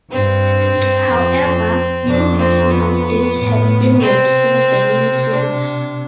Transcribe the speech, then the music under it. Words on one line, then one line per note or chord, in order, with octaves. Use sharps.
However, no mention of this has been made since the miniseries.
G2 C4
G2
F2
F2
F2 D4
C4
B3
A2
C3 C4
D4